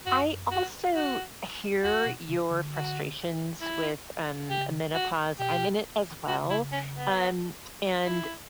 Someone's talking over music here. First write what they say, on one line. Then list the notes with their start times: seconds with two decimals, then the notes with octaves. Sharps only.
I also hear your frustrations with, um, eh menopause. I'm in it as well, um, and
0.06 F#2 F#4
0.51 F#4
0.95 F#4
1.84 E2 F#4
2.06 B2
2.29 C#3
2.51 D3
2.72 F#4
3.61 E4
4.50 C#3 G4
4.94 F#4
5.39 B2 G4
6.28 C#3 F#4
6.50 E4
6.72 C#4
6.95 B3
8.06 E4